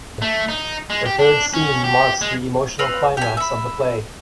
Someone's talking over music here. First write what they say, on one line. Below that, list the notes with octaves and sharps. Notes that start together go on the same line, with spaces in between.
The third scene marks the emotional climax of the play.
A3
D#4
G#3
G4
D4
C#4
G4
G#3
C4 B4 F5
G4 G#5
E5 B5